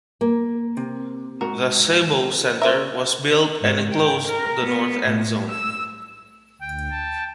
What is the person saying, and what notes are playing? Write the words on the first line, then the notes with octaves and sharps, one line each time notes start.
The Sebo Center was built and enclosed the north endzone.
A#3
C3
G#2 F#4 A#4
C#4 C5 D5 E5 A#5
G#2
G5
A#4
B3
A2
E6
D2 G5
A5